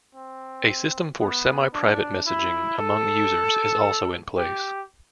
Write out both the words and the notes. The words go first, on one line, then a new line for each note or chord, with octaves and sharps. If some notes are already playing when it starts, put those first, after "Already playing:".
A system for semi-private messaging among users is also in place.
C4
B3
D4
E4
A4
G4